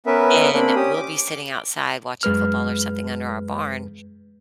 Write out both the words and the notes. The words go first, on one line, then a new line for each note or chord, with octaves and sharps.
And we'll be sitting outside watching football or something under our barn,
B3 C#4 A#4 B4 E5
A#3 C4 D4 B5
C#4 G4 D#6
D6
F#2 G#3 B4 F6